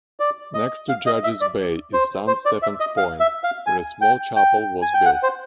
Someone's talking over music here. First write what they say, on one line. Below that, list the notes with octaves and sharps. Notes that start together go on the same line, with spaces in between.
Next to Judges Bay is Saint Stephen's point, where a small chapel was built.
D5
D#5
F5
D#5
E5
D5
C5
C5
D5
E5
D#5
F5
E5
F5
G#5
G5
G5
G#5
G5
F#5
C5